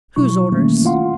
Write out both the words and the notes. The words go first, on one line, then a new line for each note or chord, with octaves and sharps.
"Whose orders?"
B2 F#3 E4 C#6
D#3 E3 G3 A3 A#3 C#4
E4 F4 F5 F#5 C6